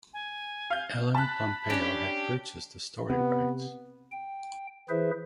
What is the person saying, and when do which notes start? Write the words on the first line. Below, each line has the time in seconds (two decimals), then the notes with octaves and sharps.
Ellen Pompeo had purchased the story rights.
0.13 G#5
0.70 F5 G6
1.14 A5 B5 F#6
1.70 C#4 D4 G4
3.10 C3 B3
4.12 G5
4.89 E3 E4 G#4 B4 C5 E5